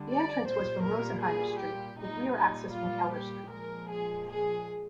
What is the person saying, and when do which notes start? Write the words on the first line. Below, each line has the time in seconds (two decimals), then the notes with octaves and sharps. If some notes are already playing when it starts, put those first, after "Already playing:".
The entrance was from Rosenheimer Street, with rear access from Keller Street.
Already playing: D3 G3
0.10 D5
0.47 A#2 G3 C5
0.85 A#4
1.24 G#4
1.61 G4
1.99 A#2 G3 D#4
2.37 D#4
2.76 F4
3.13 G4
3.51 A#2 F3 G#3 A#4
3.90 G#4
4.29 G#4